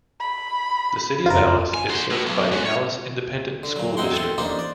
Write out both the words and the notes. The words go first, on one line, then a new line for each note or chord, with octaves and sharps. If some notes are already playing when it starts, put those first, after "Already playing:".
The City of Alice is served by the Alice Independent School District.
B5
F#1 F2 F4 A#4
G#5
F#4 C5
A2
B1
G#3 F#4
C#5
D3
A#2 F#3
E2 C4 D#4 F#5 G5 C6
A4 G5 C6
A1 A#3 D4 D#4 F4 C5
D5